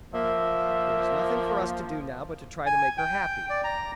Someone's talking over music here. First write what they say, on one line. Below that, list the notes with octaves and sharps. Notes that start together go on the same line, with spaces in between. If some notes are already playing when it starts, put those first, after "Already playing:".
There is nothing for us to do now but to try to make her happy.
F3 A#3 E5
G#5
G5
D5
A#5